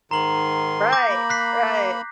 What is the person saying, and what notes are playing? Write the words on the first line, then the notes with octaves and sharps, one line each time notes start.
Right right,
G#2 D#3 A#5 C6 F#7
D6 G6 A#6
A#3 B5
F#6 B6 C7